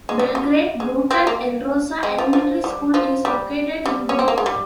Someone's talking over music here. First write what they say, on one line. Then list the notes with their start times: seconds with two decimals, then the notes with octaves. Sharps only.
Belgrade-Brooten-Elrosa Elementary School is located in Brooten.
0.09 G#3
0.19 G3
0.35 G3
0.80 G#3
1.11 C4
1.27 A#3
2.03 G#3
2.18 F3
2.33 F3
2.64 G3
2.94 F3
3.25 G3
3.86 G3
4.09 C#4
4.19 C4
4.28 A#3
4.38 G#3
4.46 G3